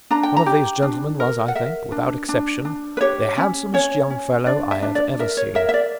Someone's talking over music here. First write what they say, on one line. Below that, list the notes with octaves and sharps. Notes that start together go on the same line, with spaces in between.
One of these gentlemen was I think, without exception, the handsomest young fellow I have ever seen.
D4 A#5
G5
A#5
G4
D4
A#4
F#5
A#4 E5
D4
D4
D4
B4
G4 C#5
C#4
C#4 C#5
C#4
D4 D5
E5
D4
D5
A#4 E5
C#5
A#4 E5
E5
D5